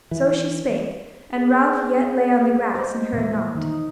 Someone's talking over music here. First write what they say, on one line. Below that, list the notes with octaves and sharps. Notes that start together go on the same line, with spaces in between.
So she spake, and Ralph yet lay on the grass and heard nought.
E3
G#4
G4 C5 D#5
A#2 E3 E5
D#3 D#4